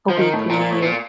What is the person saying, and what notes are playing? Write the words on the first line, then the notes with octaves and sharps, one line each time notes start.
a weekly,
F3
D#3
A2
A#2
A#2
A2
A#2